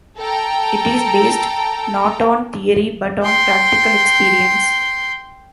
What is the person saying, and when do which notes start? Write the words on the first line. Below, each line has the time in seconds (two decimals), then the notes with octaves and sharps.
It is based not on theory but on practical experience.
0.19 A4 G5 A#5
3.23 G5 C6